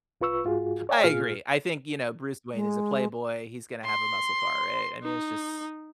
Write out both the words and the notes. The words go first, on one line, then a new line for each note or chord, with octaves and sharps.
I agree. I think, you know, Bruce Wayne is a playboy. He's gonna have a muscle car. Right? I mean, it's just
C2 F4 B4 C#6 E6
G#2 F4 F#4 G#4
C#5 D5 E5 G5 G#5
A#2 F4 G#4 F6
G#3
C6
D#4